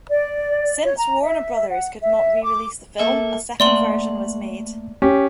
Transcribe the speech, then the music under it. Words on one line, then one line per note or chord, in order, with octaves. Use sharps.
Since Warner Brothers could not re-release the film, a second version was made.
D5
C#5
A#5
E5
F#5
E5
D6
A#3 A4 E5
A3 A#3 D5 F#5 C6 F#7
C#4 G4